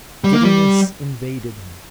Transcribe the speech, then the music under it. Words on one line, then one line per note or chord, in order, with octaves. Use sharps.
Giddiness invaded him.
G3
A#3
G3